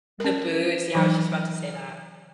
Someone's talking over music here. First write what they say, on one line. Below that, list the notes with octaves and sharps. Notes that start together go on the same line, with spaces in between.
The boots, yeah, I was just about to say that.
C#4 A#4
E3 F#3 D#4